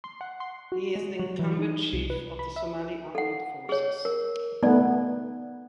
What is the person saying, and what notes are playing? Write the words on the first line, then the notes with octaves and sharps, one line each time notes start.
He is the incumbent Chief of the Somali Armed Forces.
C6
F#5
C6
F#4
G#3
F#3
E3
D#4
C2
B4
B5
E5
A4 F#5
G#4 C#5
A#4
A3 B3 D#4 D5